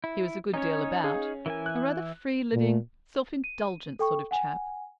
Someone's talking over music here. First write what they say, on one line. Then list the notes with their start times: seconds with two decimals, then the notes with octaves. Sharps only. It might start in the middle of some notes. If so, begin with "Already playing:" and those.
He was a good deal about--a rather free-living, self-indulgent sort of chap.
0.04 E4
0.54 C#4 D#4 C#5
1.04 G#4 F5
1.46 E3 E4 A#4 G#5
1.66 F#6
2.54 A#2
3.44 D#7
3.99 A4 G5 C#6
4.31 F#5 G#5